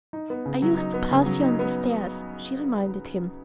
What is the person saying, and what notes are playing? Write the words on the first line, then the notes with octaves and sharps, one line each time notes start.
"I used to pass you on the stairs," she reminded him.
D#4
B3
C#3
F#3
D#4
B3
C#3
F#3
D#4
B3